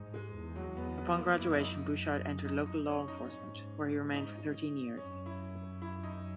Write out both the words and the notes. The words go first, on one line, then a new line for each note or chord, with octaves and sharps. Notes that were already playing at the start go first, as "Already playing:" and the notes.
Upon graduation Bouchard entered local law enforcement where he remained for thirteen years.
Already playing: G#2 D#4
G#3
E2
F#3
E2 B3
B3
A#3
F#2
E4
E4
D#4
D#4
D#4
C#4
D#4
G#2 C#4
D#4
F#2 C#4
E4
E4
D#4